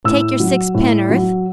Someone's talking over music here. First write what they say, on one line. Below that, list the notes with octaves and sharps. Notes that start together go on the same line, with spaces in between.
Take your sixpenn'orth.
A2 E6
F#3
A2
F#3